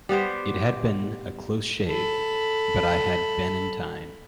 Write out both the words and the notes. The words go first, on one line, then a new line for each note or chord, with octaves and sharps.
It had been a close shave, but I had been in time.
G3 B3 G4 C5
A4 B5